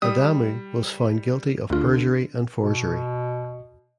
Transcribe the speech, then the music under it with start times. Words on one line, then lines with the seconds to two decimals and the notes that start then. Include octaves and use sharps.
Adamu was found guilty of perjury and forgery.
0.02 G3 D#6
1.70 D2 D3 F4
2.62 B2